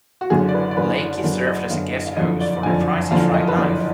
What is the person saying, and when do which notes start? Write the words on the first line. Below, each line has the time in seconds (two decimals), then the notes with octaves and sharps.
Lachey served as guest host for The Price Is Right Live!
0.21 F#4
0.30 F#1 F#2 D3 G#4
0.49 D5
0.54 B4
0.71 D5
0.77 F#1 F#2 D3 B4
1.24 F#1 F#2 D3 A#4
1.47 D#5
1.70 F#1 F#2 D3 F5
2.07 F5
2.17 F#1 F2 D3 D#5
2.41 D5
2.63 F#1 F2 D3 G#5
3.11 F#1 F2 D3 F5
3.34 D#5
3.48 B4
3.57 F#1 F2 D3 D5